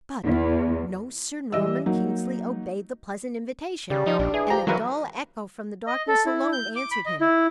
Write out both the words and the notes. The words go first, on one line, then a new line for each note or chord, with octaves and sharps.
But no Sir Norman Kingsley obeyed the pleasant invitation, and a dull echo from the darkness alone answered him.
E2
E3 G3 D#5 E5 E6
F#3 A#3 D#4
C#3 G3
F3 D#4
A#1 D4
E3 G#4
F3 G4 A#5
D#3 E3 F#3 A#3 A#4 B4
D#5
A4
E4
G6
D6
B5
D#5
E4